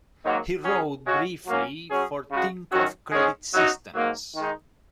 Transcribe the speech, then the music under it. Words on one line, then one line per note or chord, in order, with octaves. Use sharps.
He rode briefly for Tinkoff Credit Systems.
G#2 D#3 F#3 A#3
F#3 C#4 G#4
C#3 G#3 C#4 F#4
F#3 A#3 C#4
F#3 C#4 G#4
C#3 G#3 F#4
F#2 D#3 F#3 C#4 F#4
G#2 G#3 C#4 G#4
F#2 F#3 D#4 F#4
G#2 F#3 A#3
D#3 G#3 D#4